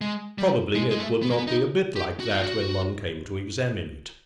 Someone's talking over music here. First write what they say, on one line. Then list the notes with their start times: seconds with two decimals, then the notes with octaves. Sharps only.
Probably it would not be a bit like that when one came to examine it.
0.01 G#3
0.38 G3
0.75 G#3
0.91 G#3
0.99 A3
1.22 B3
1.30 A#3
1.37 B3
1.47 D#4
1.96 G4
2.20 F#4
2.31 F4
2.43 F#4